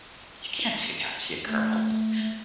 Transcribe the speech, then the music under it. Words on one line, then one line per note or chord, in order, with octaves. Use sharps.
you can't do that to your girls.
A3